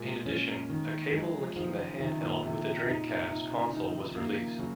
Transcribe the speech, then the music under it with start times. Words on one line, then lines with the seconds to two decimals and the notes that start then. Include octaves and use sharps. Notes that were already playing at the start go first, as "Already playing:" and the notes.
In addition, a cable linking the handheld with a Dreamcast console was released.
Already playing: A#2 G#3 A#3
0.26 C#4
0.70 D#3
1.12 F#3 G#3
1.34 F3
1.56 D#3 F3
1.69 D#3
1.78 C#3
2.00 C3 D#3
2.21 A#2
2.43 C3 D#3
2.64 C3
2.87 A#2 D#4
3.08 C3
3.30 D#4
3.50 C#3
3.73 D#3 D#4
3.85 F3
3.98 D#3
4.17 A#3
4.59 C#3 F#3